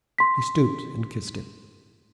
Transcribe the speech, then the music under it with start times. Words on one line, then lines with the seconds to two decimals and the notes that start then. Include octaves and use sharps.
He stooped and kissed it.
0.18 C6 B6